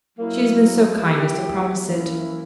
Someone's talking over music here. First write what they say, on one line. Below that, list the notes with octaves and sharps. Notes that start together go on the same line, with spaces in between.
She has been so kind as to promise it.
F#3 A#3 E4
F#3 B3 E4 G4
F#2 E3 A#3 E4